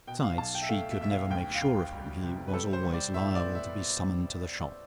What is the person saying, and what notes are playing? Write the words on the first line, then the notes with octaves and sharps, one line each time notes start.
Besides, she could never make sure of him: he was always liable to be summoned to the shop.
B2 G5
F5
B1 A5
G5
E5
A3 F5
E5
B1 E5
F5
D2 G5
F5
D2 G5
G3
C3
B4
G3 A4
C5
G3
D5
A2 E5
D5
B3
E5